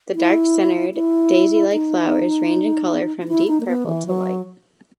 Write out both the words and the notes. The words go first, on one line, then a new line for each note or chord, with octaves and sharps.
The dark-centered daisy-like flowers range in color from deep purple to white.
E4
E4
D#4
D#4
E4
D#4
A#3
B3
E3
F#3